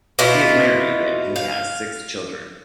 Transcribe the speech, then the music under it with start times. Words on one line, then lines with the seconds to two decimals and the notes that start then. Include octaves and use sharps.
He is married and he has six children.
0.19 B2 E4 F4
1.36 F5